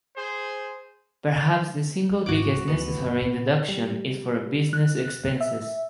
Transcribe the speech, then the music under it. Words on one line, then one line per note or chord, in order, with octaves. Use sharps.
Perhaps the single biggest necessary deduction is for business expenses.
G#4 C5
G3
G#1 C#3 F#4 F#5 D6
G3
D2 B3
F#2 D3
A#2
G3
F#6
E5